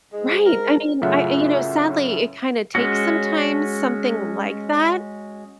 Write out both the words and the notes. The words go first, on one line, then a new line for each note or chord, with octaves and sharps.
Right! I mean, I you know, sadly it kinda takes, sometimes, something like that,
G#2 G#3
A#4
F#2 A2 C#3 F4 E5 F#5
G#3 C#4 F#4